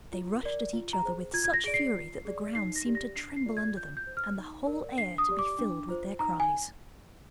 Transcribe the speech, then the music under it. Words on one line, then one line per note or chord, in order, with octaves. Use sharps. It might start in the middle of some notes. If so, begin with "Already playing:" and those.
They rushed at each other with such fury that the ground seemed to tremble under them and the whole air to be filled with their cries.
F4
A#4 D5
F4
A#5
G#4 C5
F4 G#6
G#6
A#6
G#4 D5 D7
C7
F4
G#4 D5
D#4 C7
A#6
G4 D5
A#6
D4 C7
C7
F4 G#4 D5
G#6
F4 G6
G6
C5
F6
D#4
A#4 D5
D4 C7
D#6
G4 D5
D6
D4
F4 C5
D#4 A#5
G#5